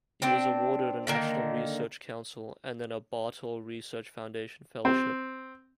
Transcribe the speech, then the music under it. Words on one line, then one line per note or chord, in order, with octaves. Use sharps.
He was awarded a National Research Council, and then a Bartol Research Foundation fellowship.
C4 D4 G5
D3 D#3 A#3
C4